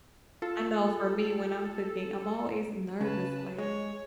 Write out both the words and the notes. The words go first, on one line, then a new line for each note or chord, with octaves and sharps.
I know for me when I'm cooking I'm always nervous like,
F4 A4
C#3 B4 A5
G#3 C#5